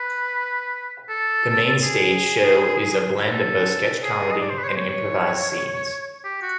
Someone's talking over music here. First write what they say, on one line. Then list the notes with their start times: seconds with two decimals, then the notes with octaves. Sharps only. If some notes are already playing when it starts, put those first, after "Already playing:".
The mainstage show is a blend of both sketch comedy and improvised scenes.
Already playing: B4
1.10 A4
1.83 G#4
3.30 A4
4.03 G#4
4.32 D#5
4.40 D5
4.49 C5
4.58 B4
4.64 C#5
4.68 C5
4.77 C#5
6.24 G4
6.42 F#4